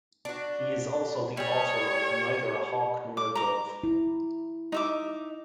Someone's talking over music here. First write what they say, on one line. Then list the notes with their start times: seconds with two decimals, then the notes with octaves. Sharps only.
He is also the author of 'Neither a Hawk Nor a Dove.
0.25 D4 F#4
1.37 G3 G#4 C#5
3.17 D6
3.35 A#5 D6
3.84 E4
4.72 D#4 E5 D6